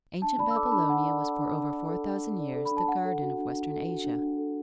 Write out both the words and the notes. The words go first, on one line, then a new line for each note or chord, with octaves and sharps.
Ancient Babylonia was for over four thousand years the garden of Western Asia.
D4 A5
D5 B5
E6
A4 D6
A5
D4 B5
D4 F#5
D5
A4
D4
D4
D5
A4
D4
D4
D5
A4
B5
D4
A5
D4 F#5
A4
F#4
D4
D4
A4
F#4
D4
D4
A4